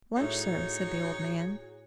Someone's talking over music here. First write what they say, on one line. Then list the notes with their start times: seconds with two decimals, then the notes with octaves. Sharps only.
"Lunch, sir," said the old man.
0.17 A2 D#4 F#4 G#4 C5 C#5 E5